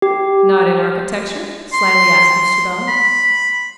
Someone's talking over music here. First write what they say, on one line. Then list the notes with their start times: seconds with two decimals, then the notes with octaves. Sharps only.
'Not in architecture?' slyly asked Mr. Bell.
0.02 G4
1.73 C6
2.88 B5